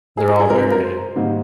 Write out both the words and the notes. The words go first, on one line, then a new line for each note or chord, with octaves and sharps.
They're all very
G#4
G#4
G#4
C3 F3 G#3 A#4
A#4
C5
G#2 D#3 G3 A#3